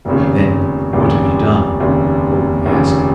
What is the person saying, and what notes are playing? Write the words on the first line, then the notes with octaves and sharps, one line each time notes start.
"Then, what have you done?" Odin asked.
F1 D#2 C#3
F1 D#2 C#3
F1 D#2 C#3
F1 D#2 C#3